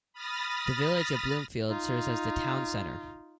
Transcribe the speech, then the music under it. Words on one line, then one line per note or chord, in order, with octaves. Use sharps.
The village of Bloomfield serves as the town center.
B5 D#6 F6 A6 A#6
D#4 F4